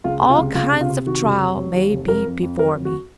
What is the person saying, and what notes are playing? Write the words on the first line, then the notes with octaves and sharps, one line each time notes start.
All kinds of trial may be before me.
C#2 F4
C3
F4
C#2
C#2 F4
C3
F4
C3
D#3 F#4
F1
F1
F#3
D#2
F1
F2 A#4
F2
F2
F#3 A#4
F2
F#4